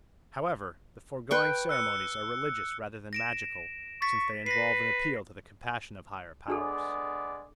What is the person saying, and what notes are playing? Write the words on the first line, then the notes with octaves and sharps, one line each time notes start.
However, the foregoing ceremonies are religious rather than magical, since they involve an appeal to the compassion of higher powers.
B4 G5 C#6
E6 F#6 C#7
A#6 D7 E7
C#6 A6 B6
B4 A#6 C7
G#3 B3 D4 G#4 A4 D5